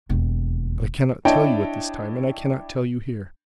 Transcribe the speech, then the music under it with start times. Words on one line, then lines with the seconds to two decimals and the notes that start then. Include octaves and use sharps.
But I cannot tell you at this time, and I cannot tell you here.
0.09 E1 D#2
1.25 D4 E4 C#5 D#5 G5 A5